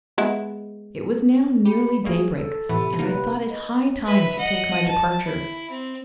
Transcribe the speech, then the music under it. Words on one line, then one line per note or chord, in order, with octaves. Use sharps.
It was now nearly daybreak, and I thought it high time to take my departure.
G#3 B3 E4
G4 B5 C#7
G3 A3 A#3 G#4
A4
A2 C3 E3 A3 B3
D3 A#3 D#4 B4
D#5
B4 E5
D#5 F#5
A5
E4
C4